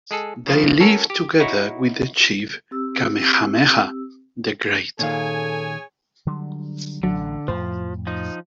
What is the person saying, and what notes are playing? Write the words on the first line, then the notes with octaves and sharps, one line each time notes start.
They lived together with the chief Kamehameha the Great.
G#3 G#4 A4
C#3 F3 A3
C#4 F#4 A4 A#4
G4
D#4 E4 F#4 C#5
C4 G4 E6
A#2 D#3 G#4 A4 C#5 F5 G#5
D3 F#3 G3
A1 D3 F#3
F2 A2 F3 C5
F3 D#4